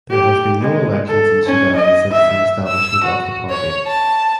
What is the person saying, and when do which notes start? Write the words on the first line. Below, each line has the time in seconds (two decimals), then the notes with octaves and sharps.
There has been no elections in Sudan since the establishment of the party.
0.11 G4
0.61 G#3
1.08 A4
1.46 C#4
1.76 D#5
2.11 E5
2.68 E6
3.05 F#4
3.50 C#5
3.87 A5